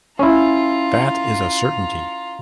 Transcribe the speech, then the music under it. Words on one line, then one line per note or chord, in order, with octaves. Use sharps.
That is a certainty.
C#4 E4 F4 A#5